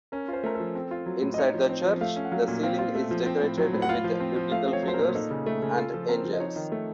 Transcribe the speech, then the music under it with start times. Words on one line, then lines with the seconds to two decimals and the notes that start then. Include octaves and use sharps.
Inside the church, the ceiling is decorated with biblical figures and angels.
0.12 C#4 A#4
0.28 F4 C5
0.43 A3 A#4
0.55 A4
0.60 F3
0.75 C4
0.91 F4
1.06 F#3
1.22 A2
1.34 D#5
1.38 D#4 C#5
1.54 F3
1.69 C4
1.85 F3
2.01 A3 F5
2.16 C#4
2.25 F#5
2.32 F#3 F5
2.48 A#2
2.63 C4 F5
2.79 F4
2.95 A3
3.11 F3
3.26 C4
3.42 A2
3.58 F#3
3.73 A2
3.82 F#5
3.89 F4 F5
4.04 F3
4.20 C4
4.36 F3
4.52 A3 F5
4.68 C4
4.73 C#5
4.83 F#3 C5
4.94 A#4
4.99 A#2
5.15 D#4 A4
5.30 C#3
5.46 A3
5.62 C#3
5.77 F4 A4
5.93 F3 A4
6.09 C4 A#4
6.25 F3
6.33 D#5
6.40 D#4 C#5
6.56 D#3
6.72 A3